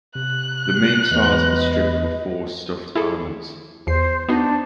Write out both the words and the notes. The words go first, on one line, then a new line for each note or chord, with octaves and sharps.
The main stars of the strip were four stuffed animals.
C3 F#6
E2 B4 D#5
E4 G#4 A4
E2 C5 C7
B3 D4 D#4 F#4